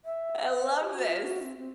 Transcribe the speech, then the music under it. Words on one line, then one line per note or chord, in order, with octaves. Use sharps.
I love this.
E5
F5
F#5
C5
G4
F#4
F4
F#4
C4
C4